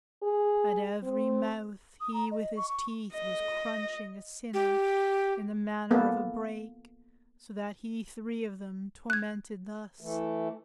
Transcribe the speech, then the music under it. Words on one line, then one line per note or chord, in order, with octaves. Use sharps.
At every mouth he with his teeth was crunching A sinner, in the manner of a brake, So that he three of them tormented thus.
G#4
C4
D#6
A#5
D#5
C#6
C#6
D#5
G4
A#3 B3 A4
F#6 G#6
E3 A3